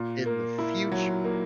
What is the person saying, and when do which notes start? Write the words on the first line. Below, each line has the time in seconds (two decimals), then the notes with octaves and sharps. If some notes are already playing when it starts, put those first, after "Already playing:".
in the future
Already playing: A#2
0.26 A#3
0.59 E4
0.92 F#3
1.25 A#3